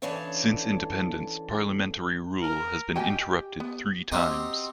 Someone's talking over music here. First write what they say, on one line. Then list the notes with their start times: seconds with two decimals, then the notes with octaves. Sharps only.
Since independence, Parliamentary rule has been interrupted three times.
0.02 C#3 E3 D4 A4 C#5 F5
2.43 A#4
2.95 F#4 G4 D#5 G5 G#5
3.60 B3
4.12 C4 D#4 F#4 G4 C5